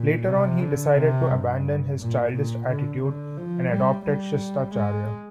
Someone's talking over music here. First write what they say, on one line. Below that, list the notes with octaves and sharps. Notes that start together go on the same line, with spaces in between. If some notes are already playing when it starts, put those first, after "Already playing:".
Later on he decided to abandon his childish attitude and adopted shistacharya.
Already playing: A#2
C3
D3
C3
G2
A#2
A#2
D3
D3
F3
G3
G3
G#3